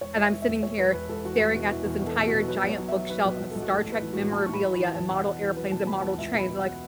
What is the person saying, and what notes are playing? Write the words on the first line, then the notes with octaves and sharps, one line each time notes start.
and I'm sitting here staring at this entire giant bookshelf of Star Trek memorabilia and model airplanes and model trains like,
E1 C#5
E1
E5
E1
E5
E1
E1 C#5
E1 B4
E1 B4
E1 A4
E2 F#4
E1 E4
B2 F#4
E1 E4
E2
B2
A4
B2
F#4
B2
F#3 B4
B1
C#5
F#3
E5
F#3
F#3 B4
B1
B4
B1
B1 A4
F#4
A1 A4
A1
B4
E3
A2 F#4
A2 A5
C#6
A2 B5
A1
B5
E3
E2 A5
B2 F#5
E2
E2
F#3 B4
B2 A5
E2 B5
F#5
E2 A5
C#2 E5
B2
B5
B2
F#5